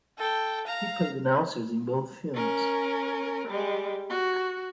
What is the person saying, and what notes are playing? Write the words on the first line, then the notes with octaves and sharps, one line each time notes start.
He played announcers in both films.
A4 G5
F5 A#5
C#4 A#4
G3 G#3
F#4